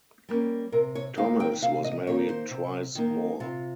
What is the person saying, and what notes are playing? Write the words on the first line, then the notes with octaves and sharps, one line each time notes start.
Thomas was married twice more.
G3 A#3 C#4
C3 A#4
C#5
D#3 A#3 D#4 F5
G5
C3 F5
D#5
D#3 A#3 D#4 C#5
C5
C3
D#3 A#3 D#4
C3 F4